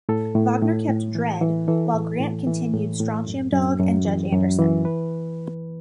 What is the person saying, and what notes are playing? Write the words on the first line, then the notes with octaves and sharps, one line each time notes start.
Wagner kept "Dredd", while Grant continued "Strontium Dog" and "Judge Anderson".
A2 A4
A2
A2
A2
E3
E3
E3 A4
A2
A2
E3
A2
A2
F#2
F#2
F#2
E3
F#2
E3
B4